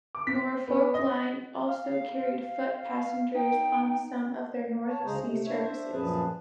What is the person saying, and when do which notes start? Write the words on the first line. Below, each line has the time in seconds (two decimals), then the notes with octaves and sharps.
Norfolkline also carried foot passengers on some of their North Sea services.
0.15 D6
0.27 B6
0.67 B3
0.94 D#5
1.68 F5
3.35 D#4 G5
4.88 C#5 A5
5.05 D2 C#3 G#3 G#4 C5 A#5
5.22 C3 A3
5.45 D4 E4 C#5 E5
5.62 D4 C5 E5
5.92 F#2 A#2 F3 G#4 B4 A5